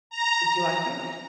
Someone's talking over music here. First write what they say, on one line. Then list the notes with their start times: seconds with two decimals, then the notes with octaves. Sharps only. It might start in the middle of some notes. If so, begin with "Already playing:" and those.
Did you like it?
0.10 A#5